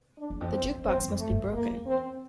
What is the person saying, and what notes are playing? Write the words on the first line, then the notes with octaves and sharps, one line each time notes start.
The jukebox must be broken.
D4
E2
F2
C4
F2
E2 C4
G2
F2
A3
G2
E2 A#3
E2
C4